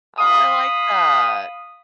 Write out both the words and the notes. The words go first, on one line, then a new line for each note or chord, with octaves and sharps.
Oh, I like that.
F5 B5 D#6